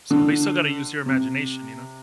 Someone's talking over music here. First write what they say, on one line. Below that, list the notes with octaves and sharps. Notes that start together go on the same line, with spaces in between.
So but you still gotta use your imagination, you know?
D3
C3